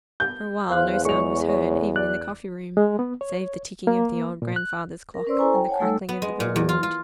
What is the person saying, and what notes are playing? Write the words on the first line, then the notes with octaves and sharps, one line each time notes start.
For a while no sound was heard, even in the coffee-room, save the ticking of the old grandfather's clock and the crackling of the burning wood.
G6
E2 C5 F5 F#6
G#3 G#4 C#5 C#6 F7
C#5
D5 F#6
G#3
B3
C#5
A#3
A#2
F#6
A#4
C#4 B4 C5 D5 C6 E6
E4 A4 C5 G#5 A#5 C#6
G5
C#5 F#5 G#5 A5
G3 A3 D#4 A4 E6
B3
G#3
A#2
E2
F4
F4